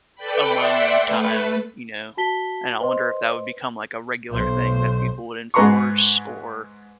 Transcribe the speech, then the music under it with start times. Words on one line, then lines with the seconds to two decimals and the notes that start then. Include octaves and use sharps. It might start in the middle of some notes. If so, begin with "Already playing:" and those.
alone time, you know? And I wonder if that would become, like, a regular thing that people would enforce or,
0.16 A4 B4 D5 G5 B5
0.46 D5 E5 F#5 G5 C6
1.00 A3 B4
2.17 F#4 A5 B6 G7
2.80 B4 C5 D#5 C6
4.33 B1 C5
5.54 G#2 G#3 B4 A#5 C6 C#6